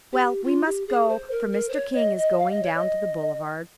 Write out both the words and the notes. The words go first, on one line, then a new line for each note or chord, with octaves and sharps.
"Well, we must go, for Mr. King is going down to the Boulevard."
G4
F4
G4
G#4
C5
A#4
A#4
C5
C#5
D#5
D#5
F5
D#5
C#5
D#5